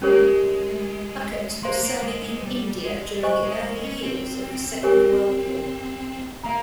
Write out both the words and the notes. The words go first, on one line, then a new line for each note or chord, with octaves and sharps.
Urquhart was serving in India during the early years of the Second World War.
G#3 C#4 G4 A#4 C#5
A#3
G#3
A#3 C5 F5 C6
A#3
G#3
G#3
G3
G#3
C5 D#5 G#5 C#6
G#3
G#3
C#4
C4
G4 A#4 C#5 G#5
A#3 F5 A#5